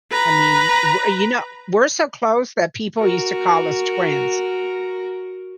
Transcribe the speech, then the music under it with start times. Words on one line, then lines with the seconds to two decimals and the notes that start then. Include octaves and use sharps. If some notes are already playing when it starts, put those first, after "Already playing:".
I mean, we're you know, we're so close that people used to call us twins
0.11 B4 A#5
2.99 F#4 A#4